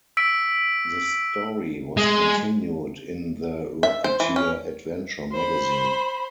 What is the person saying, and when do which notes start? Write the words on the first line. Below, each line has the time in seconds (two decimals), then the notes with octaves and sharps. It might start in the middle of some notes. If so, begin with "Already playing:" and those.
The story was continued in the "Rocketeer Adventure Magazine".
0.17 E6 B6 D7
1.97 G#3
3.83 E5
4.04 C5
4.20 E3
4.36 C#4
5.32 C5 B5